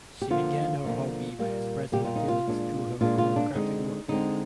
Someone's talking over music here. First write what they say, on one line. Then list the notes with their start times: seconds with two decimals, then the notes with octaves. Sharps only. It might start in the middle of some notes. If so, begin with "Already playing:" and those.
She began her hobby by expressing her feelings through her photographic work.
0.22 G4
0.30 D3 F3 A#3 F4
0.84 D3 F3 A#3
1.39 A#2 G3 A#3
1.92 A#2 G3 A#3 G4
2.04 F4
2.16 D#4
2.28 F4
2.47 A#2 G#3 D4
3.01 A#2 G#3 D4 F4
3.18 F4
3.36 D4
3.55 D3 G#3 C4 D#4
4.08 D3 G#3 C4 D#4